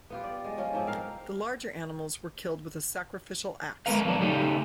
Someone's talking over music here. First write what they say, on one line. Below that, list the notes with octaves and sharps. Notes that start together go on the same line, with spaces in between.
The larger animals were killed with a sacrificial axe.
B3 F4 G4
D5
G#3
F3 C#4 F4
G#2 F3 C4
A#4 F5
G#3 A3 B3 A#4 B4 F5
F3 F#3 D4
C#3 A3 D#4 G4